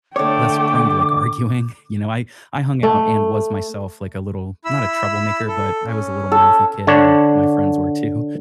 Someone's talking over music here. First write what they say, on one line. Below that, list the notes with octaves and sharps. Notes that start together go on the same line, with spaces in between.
less prone to, like, arguing. You know, I I hung out, and was myself like a little not a troublemaker, but I was a little mouthy kid, and my friends were, too.
D3 A3 C#5 G5 D6
A3
E4 B5 E6
A4
C#4
A4
D3 D4 C#5